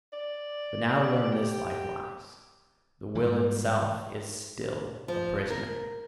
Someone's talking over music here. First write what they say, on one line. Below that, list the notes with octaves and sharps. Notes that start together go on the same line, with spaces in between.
But now learn this likewise: the Will itself is still a prisoner.
D5
G4
G#2 E3 G3
F3
A#4